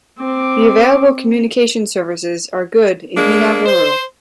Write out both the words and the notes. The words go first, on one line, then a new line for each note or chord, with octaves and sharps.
The available communication services are good in Hinnavaru.
C4 D6
G#3 A#3 D4
C5